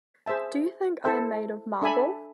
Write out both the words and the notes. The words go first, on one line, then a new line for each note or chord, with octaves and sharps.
Do you think I am made of marble?
G#4 C5 E5 A5
E4 A4 C5 E5
D4 A4 E5 G#5 B5